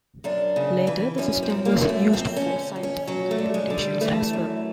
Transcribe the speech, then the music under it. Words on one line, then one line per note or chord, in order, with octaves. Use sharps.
Later, the system was used for scientific computations as well.
F#2 D4
C#3
E3
F#2 C#4
C4
F#2
A#3
F#2
A3
F2 C4
C#4
D3
F2
C#4
F#3 C#4
A3
D3
G#3
D3
G3
E3 A3
F#2